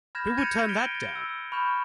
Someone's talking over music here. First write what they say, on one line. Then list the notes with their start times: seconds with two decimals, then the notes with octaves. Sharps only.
Who would turn that down?
0.15 B5 F6 G6 G#6 A#6 E7
0.37 G6 A6 A#6 C#7 D#7 F7
0.68 G6 B6 D7 G7
0.95 A6
1.16 E6
1.52 B5 C#6 F6 G6 E7